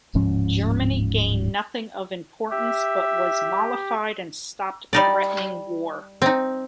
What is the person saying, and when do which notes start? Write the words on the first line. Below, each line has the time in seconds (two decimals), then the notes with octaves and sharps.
Germany gained nothing of importance but was mollified and stopped threatening war.
0.15 D1 G#2 F3 C#4
2.51 G4 E5
4.93 G3 D#4 D5
6.22 C4 D#4